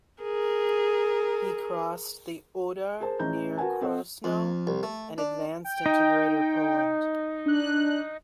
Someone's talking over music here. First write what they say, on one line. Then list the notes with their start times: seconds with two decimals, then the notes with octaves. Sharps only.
He crossed the Oder near Krosno and advanced into Greater Poland.
0.23 G#4 A#4
3.00 G#4 A#4 C5 A5
3.19 A1 E3 G#4 D#5 A#5 G6
3.57 F#4 A#4 B4 F#5 G#5 A5
3.81 C4 A4 D#5 F#5
4.24 F2
4.67 C2
4.83 A3
5.18 D4
5.64 G5
5.86 D#4
7.46 D4 F#6